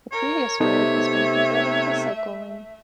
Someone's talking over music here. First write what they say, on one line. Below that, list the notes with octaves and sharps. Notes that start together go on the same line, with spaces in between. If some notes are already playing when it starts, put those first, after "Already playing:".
The previous road has been converted to a cycle lane.
A#4 C#5
C3 A3 B3 D#4 A4 C#5 E5